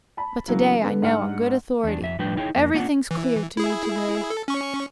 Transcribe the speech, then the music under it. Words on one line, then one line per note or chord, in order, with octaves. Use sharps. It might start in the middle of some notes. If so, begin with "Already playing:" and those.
But to-day I know on good authority; everything's clear to me to-day.
A5 B5
C#3 E3 F#3 A#3
D3 B3
G#2 D4 F#5 F6 C#7
E2 D4
F2 E5
A2 F3 G3 D4 B4 G5
D#4 E4 G#4 C#5 G5
F2 A#3
A#3 C#4 D4 F4 F#5
E3
E4 G#4
A4
C#4 C#6